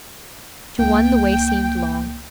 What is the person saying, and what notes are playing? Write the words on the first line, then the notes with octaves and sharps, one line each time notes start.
To one the way seemed long.
C#2 A#3 G5